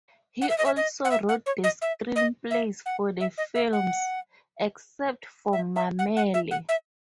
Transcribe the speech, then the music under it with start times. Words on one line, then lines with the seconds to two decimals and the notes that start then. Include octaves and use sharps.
He also wrote the screenplays for the films, except for "Mamele".
0.41 F#5
0.49 E5
0.58 D#5
0.66 E5
0.76 D#5
1.05 F#5
1.11 E5
1.29 F#5
1.46 C#5
1.64 D#5
1.82 E5
2.16 D#5
2.51 E5
2.86 F#5
3.20 E5
3.38 D#5
3.55 E5
3.73 F#5
5.53 E5
5.76 E5
5.99 F#5
6.17 F#5
6.34 E5
6.51 F#5
6.69 E5